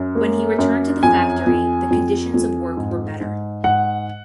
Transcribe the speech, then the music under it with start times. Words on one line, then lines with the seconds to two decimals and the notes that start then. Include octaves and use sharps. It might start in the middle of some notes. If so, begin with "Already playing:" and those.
When he returned to the factory the conditions of work were better.
Already playing: F#2
0.15 A#3
0.58 F#2
1.03 F2 G#5
1.46 F2
1.90 F2
2.34 F2
2.77 G#2
3.21 G#2
3.64 G#2 F#5